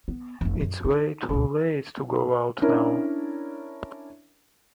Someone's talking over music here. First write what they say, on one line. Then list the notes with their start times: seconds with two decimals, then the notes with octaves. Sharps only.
It's way too late to go out now.
0.08 B3
0.41 F1 A3
0.61 F#2
0.84 D#4
1.29 C#2 B2
2.62 C#4 D4 E4 A#4